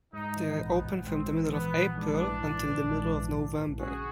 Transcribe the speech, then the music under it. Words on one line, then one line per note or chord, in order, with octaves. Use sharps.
They are open from the middle of April until the middle of November.
G#2 D#4
E3
A#1 B3
A#1
G#2 C4
E3
A#1 B3
A#1
G#2 D4
E3
A#1
A#1
G#2
E3
A#1
A#1
C#3 F#4 G#4